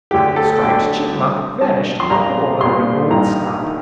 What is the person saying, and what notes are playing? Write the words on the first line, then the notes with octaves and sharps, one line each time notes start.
Striped Chipmunk vanished in a hole under an old stump.
D2 D3 F#3 G4
A4
D2 D3 F#3 G5
G2 F#3 C4
G2 F#3 C4 A5
C6
A#1 A#2 G3 A#5
A#1 A#2 G3 C6
A1 G2 D#3 A#5
D#3